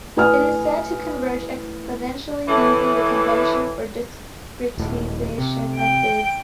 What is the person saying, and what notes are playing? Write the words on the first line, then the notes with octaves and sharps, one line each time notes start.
It is said to converge exponentially using the convention for discretization methods.
A2 B4 G#5 D#6 F6
A2 E3
D#1 A2
C3
G5